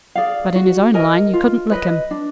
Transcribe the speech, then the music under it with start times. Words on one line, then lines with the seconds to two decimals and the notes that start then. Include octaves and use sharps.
But in his own line you couldn't lick him.
0.15 G#4 D5 F5
0.56 F#4
0.94 A#4 D#5 G#5
1.33 F4
1.72 B4 D#5
2.11 D4